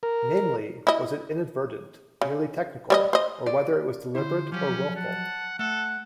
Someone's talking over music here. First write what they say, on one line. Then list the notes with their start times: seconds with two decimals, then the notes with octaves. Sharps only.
Namely, was it inadvertent, merely technical, or whether it was deliberate or wilful.
0.03 A#4
0.87 E4 D#5
2.21 C#3
2.90 G3 C#5 D#5
3.13 C5 D#5
3.46 G4 D5 C6
4.15 D3 E4 C5
4.52 F3 F#3 C#4 G4
4.96 F#5 A5
5.59 A3 A4 F#5